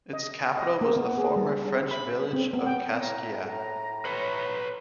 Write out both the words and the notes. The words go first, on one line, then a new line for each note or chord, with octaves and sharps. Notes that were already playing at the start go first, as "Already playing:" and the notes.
Its capital was the former French village of Kaskakia.
D#5
D#5
A#3
B3
G#4
G3
B5
C4
B3
G5
A2 A#5
B4 C#5